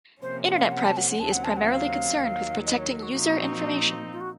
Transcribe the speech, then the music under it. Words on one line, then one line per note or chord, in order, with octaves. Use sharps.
Internet privacy is primarily concerned with protecting user information.
C3 F3 A#3 C#4 C5
F5
F#5
A5
F#5
F#5
D#2 C#3 F#3 C4 A5
F#5
A5
F#5
F5
D#2 D#3 F#3
D#5
C#5
A#4
A4
F#4
A#2 F3 C4 D#4
F4
F#4